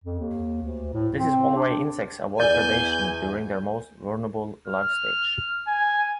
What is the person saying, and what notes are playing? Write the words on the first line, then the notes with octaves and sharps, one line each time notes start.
This is one way insects avoid predation during their most vulnerable life stage.
F2
D#2
D2
A2
C4
D4
E2 D5 G#5 G6
F6
G#5